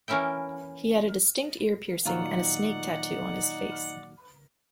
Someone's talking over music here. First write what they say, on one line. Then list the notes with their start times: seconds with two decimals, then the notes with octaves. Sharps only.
He had a distinct ear piercing and a snake tattoo on his face.
0.08 E3 A#3 C#4 E4 E5 G5
2.05 A#2 D#3 F#3 D#4 F4 D5 F#5 A#5